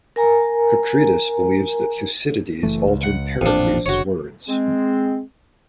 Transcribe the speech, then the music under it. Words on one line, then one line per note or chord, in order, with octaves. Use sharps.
Kakridis believes that Thucydides altered Pericles words.
A#4 G#5 A#5
F#1 E3 A3
C#2
F#5
A1 F2 A#2 F3 D4
F#1 D3 F#4 C#5
G#3 C4